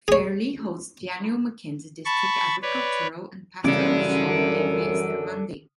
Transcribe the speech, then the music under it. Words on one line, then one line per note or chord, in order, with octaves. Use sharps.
Fairlie hosts the annual Mackenzie District Agricultural and Pastoral show every Easter Monday.
G#4 C#5
A5 B5 C#6
B4 C#5 D5
F#2 C#3 E3 G3 A4 D5